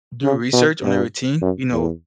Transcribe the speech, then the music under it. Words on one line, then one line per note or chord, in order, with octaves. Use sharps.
do research on their routine, you know,
C#3
B2
G2
F#2
E2